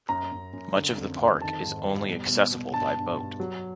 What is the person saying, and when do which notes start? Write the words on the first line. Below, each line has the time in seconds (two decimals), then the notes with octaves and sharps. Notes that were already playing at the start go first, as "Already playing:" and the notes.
Much of the park is only accessible by boat.
0.09 F#2 A#5
0.32 F#2
0.53 F#2
0.75 D3
0.98 F2
1.20 F2
1.41 D#3 A5
1.64 G#2
1.86 G3
2.07 B2
2.29 B2
2.52 B2
2.73 G2 A5
2.95 G2
3.17 G2
3.40 F#3